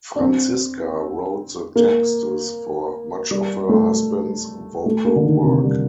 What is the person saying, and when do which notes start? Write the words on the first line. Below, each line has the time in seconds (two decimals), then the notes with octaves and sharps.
Franziska wrote the texts for much of her husband's vocal work.
0.16 D4
0.20 C4
1.76 A#3
3.31 G3
3.69 A3
4.86 A3
5.05 A#3
5.16 D3
5.25 D#3
5.44 C3
5.63 G3